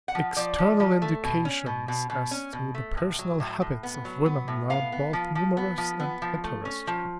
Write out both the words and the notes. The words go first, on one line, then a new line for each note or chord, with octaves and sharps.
External indications as to the personal habits of women are both numerous and interesting.
F#5
F3
F3 D5
F3
F3
A3
B2
C#4
B2
B2
B2
C#4
B2
A3
A2
F#3
A2
A2
B3
F#3
B3
A2
B3 F5
B3
F3
F3
B3
F3
B3
F3
A3
C#4
F3